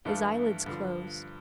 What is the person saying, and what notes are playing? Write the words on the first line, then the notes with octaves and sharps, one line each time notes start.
His eyelids closed.
G2 E3 A3 D4 F4
G2 D3 F3